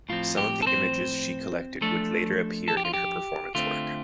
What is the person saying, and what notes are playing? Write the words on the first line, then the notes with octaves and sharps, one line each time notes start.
Some of the images she collected would later appear in her performance work.
A2 F3 C4 F4
G4
A4
C4 C5
F3 A3 D4 A4
A4
G4
F4
G4
D3 A3 C4 F4